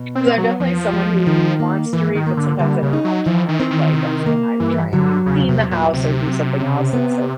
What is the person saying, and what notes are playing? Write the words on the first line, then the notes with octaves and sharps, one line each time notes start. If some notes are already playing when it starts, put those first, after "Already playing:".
'cause I'm definitely someone who wants to read, but sometimes I don't have time, like I'm I'm trying to clean the house or do something else, and so
Already playing: B2
C4
B3
F#3
E2 F3
G#3
D#3
A#3
G#2 E3
D#3
A#3
D3
D3 G3
C#3
D#4
F#3
E3 F3
D#3
C4
D#3
C3
A#3
G2 E3
D3 F#3
E2 C#3
C3
F#3
A#2
D2 C3
F#3
C#3
B3